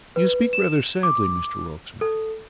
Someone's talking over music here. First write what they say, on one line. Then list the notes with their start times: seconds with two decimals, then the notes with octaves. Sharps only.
You speak rather sadly, Mr Rokesmith.'
0.16 B4
0.53 E7
1.03 D6
2.01 A4